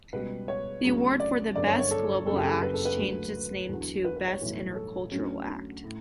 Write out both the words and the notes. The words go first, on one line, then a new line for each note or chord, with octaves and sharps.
The Award for "The Best Global Act" changed its name to "Best Intercultural Act".
C#2 B2 G3 B4
C#5
D2 C#3 F#3
D5
G1 F#2 D3 D5
C#5
C#5
A4
F#1 F#2 C#3 A4
G4
A4
B4
A4
B4
D2 D3 F#3
E2 D3 F#3
B4
B4
C#5
B1 A2 E3 G3
A4
D2 D3 F#3 C#4
A2